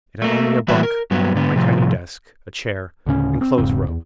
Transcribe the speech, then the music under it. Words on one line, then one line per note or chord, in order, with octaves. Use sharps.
It had only a bunk, my tiny desk, a chair and clothes robe.
A3 A#3
E3 G3 A#3 F#4 B4 E5
A#4
G2 F#3 B3
G#2 D3 B3
A2 C3 F3
D2 A2 C#3 C#4
C4
E1 G#2 C#3 C4
E1 E2